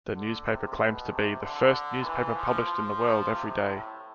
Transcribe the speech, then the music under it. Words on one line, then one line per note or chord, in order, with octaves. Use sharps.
The newspaper claims to be "The First Newspaper Published In The World Every Day".
D3
C3
B2
C3
D3
E3
F3
F3
C3
A2